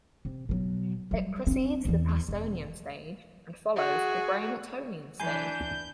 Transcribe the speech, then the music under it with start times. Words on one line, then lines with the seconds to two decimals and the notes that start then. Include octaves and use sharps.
It precedes the Pastonian Stage and follows the Bramertonian Stage.
0.25 C3
0.49 B2 F#3
1.11 F#3 G3
1.47 C4 D4
1.85 E2 E3
2.29 E1
3.76 F#4 G#4
5.20 E3 D4 G#5 G6